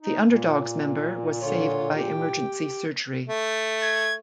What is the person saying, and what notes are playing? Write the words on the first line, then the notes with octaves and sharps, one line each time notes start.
The Underdogs member was saved by emergency surgery.
D#4
A#2
D3 F4 C#5
G4 G5
A3
G#6